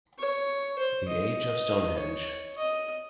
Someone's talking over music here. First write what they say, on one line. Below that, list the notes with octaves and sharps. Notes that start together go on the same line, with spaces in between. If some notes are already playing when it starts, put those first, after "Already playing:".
"The Age of Stonehenge".
C#5
C5
D#5
C#5
D#5